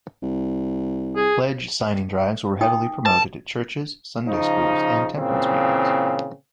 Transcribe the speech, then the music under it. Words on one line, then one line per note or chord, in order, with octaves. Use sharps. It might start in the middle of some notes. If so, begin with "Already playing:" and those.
Pledge signing drives were heavily promoted at churches, Sunday schools, and temperance meetings.
C2
G#4
D#4 G5 D#6
B4 A5
C#3 F3 D#4
A#2 C#3 E3 C4